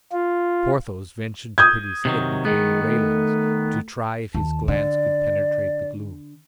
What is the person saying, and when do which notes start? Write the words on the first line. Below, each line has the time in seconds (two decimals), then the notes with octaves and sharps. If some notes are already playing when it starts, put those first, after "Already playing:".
Porthos ventured to put his head between the railings, to try if his glance could penetrate the gloom.
0.12 F4
1.58 D#6 G6 G#6
2.05 C3 D#3 F#3
2.45 D#3 G#3 B3
2.83 A3
4.34 D#2 A5
4.68 D3 D5